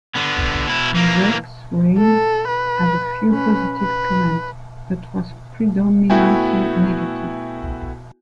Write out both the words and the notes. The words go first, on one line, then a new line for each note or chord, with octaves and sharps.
Rex Reed had a few positive comments, but was predominantly negative.
D3 B3
B2 E4
E3 A#3
A4
B4
C#4 B4
B4
A3 B3 E4 F#4 G5 G#5